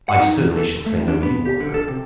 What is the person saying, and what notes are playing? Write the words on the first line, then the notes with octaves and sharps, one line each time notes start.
"I certainly shall say no evil of her."
F#5
D#4
E3
A4
A3
D4
B3
G4
D3
A4
C3